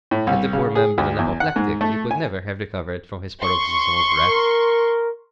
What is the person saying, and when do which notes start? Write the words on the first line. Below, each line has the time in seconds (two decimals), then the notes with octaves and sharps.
Had the poor man been an apoplectic, he could never have recovered from his paroxysm of wrath.
0.11 A2
0.27 C2
0.53 C#3
0.75 G#4
0.98 D2
1.19 E2
1.40 F#5
1.56 G#2
1.81 A3
2.11 G#5
3.42 C6 C#6
4.27 A#4